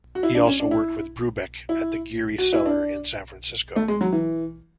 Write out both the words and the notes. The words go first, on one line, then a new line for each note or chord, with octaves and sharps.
He also worked with Brubeck at the Geary Cellar in San Francisco.
F#4
E4
D4
C#4
D4
E4
E4
F#4
E4
D4
A3
G#3
F#3
E3